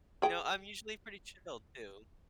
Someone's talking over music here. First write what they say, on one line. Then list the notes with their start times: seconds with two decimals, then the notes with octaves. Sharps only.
you know, I'm usually pretty chill too.
0.22 G#4 G5